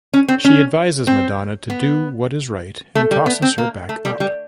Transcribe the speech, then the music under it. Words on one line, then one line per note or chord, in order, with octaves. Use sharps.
She advises Madonna to do what is right and tosses her back up.
C#4
C4
C#4
C4
B3
A3
G3
B3
C4
A#3
A3
G3
G3